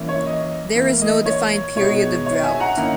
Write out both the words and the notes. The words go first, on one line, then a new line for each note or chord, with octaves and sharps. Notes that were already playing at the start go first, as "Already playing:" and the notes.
There is no defined period of drought.
Already playing: E3 A#3 C#4 E4
C#5
D#5
E3 A#3 E4
D#5
C#5
B2 G#3 B3 D#4 C#5
C#5
E5 G#5
F#5 A#5
D#3 A#3 C#4 E4